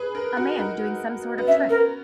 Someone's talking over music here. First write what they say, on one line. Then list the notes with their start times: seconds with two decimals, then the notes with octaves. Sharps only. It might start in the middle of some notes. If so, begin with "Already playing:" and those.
A man doing some sort of trick.
Already playing: G#4 B4
0.15 A#4
0.37 F#4
0.59 D#4
1.38 B3
1.48 C#4 E5
1.69 B3 A#4